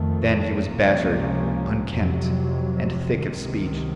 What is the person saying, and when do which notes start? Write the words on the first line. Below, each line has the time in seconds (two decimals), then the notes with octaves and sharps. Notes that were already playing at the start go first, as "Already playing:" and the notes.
Then he was battered, unkempt, and thick of speech.
Already playing: F2 D#3 A3
0.67 C#2 C3 F3 A#3 C#4
1.91 F2 C3 F#3
3.15 C#2 C3 D#3